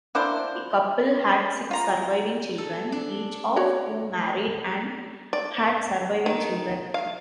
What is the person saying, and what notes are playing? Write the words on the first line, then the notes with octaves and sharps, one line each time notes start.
The couple had six surviving children, each of whom married and had surviving children.
A#3 D4 E4 C5
F4 A#5
A4
D4
F#4 C#5 D5
D5
D#3
F5